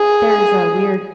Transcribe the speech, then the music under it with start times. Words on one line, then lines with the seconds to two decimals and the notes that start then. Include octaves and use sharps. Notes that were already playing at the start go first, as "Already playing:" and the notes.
there's a weird
Already playing: G#4